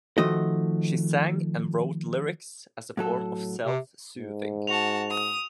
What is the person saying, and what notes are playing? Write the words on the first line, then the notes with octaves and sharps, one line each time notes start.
She sang and wrote lyrics as a form of self-soothing.
D#3 F3 A3 F#4 D#5
A2 F#3 A4
C3
G#2
F#4 A5 F7
D#6